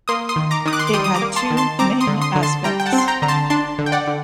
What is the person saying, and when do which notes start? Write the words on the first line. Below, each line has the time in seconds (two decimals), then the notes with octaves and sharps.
It had two main aspects.
0.08 A#3 C6 D#6
0.29 C6 D#6
0.36 D#3
0.51 A#5 D6
0.66 D#3 D#6
0.73 D6 F#6
0.79 C6
0.87 D6
0.93 G3 C6 D#6
1.04 D#6
1.14 A#5 D6
1.22 A#3
1.36 A5 C6
1.51 D#3
1.57 A5 C6
1.79 C4 A#5 D6
2.00 C6 D#6
2.07 D3
2.21 C6 D#6
2.36 D3
2.43 A5 C6
2.64 G3 G5 A#5
2.80 G5
2.86 F#5 A5
2.93 C4
2.98 C6
3.08 G5 A#5
3.22 D3 A#5
3.28 A5 C6
3.50 D4 A5 C6
3.79 D3
3.86 G5
3.92 D5 F#5
4.08 D3